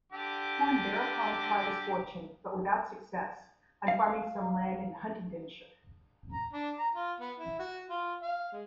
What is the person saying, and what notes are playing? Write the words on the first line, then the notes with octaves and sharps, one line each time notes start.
Horne thereupon tried his fortune, but without success, on farming some land in Huntingdonshire.
D3 G4 D6
F5
A#5
D4
A#5
F4
B3
E4
F#4
F4
F5
G#3